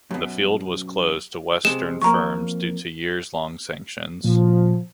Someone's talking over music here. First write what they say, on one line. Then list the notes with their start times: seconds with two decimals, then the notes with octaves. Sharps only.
The field was closed to Western firms due to years-long sanctions.
0.11 F#2 B2
1.65 C3 G#3 E7
2.02 F2 A#3 A#5 C#6
4.24 A#2 F3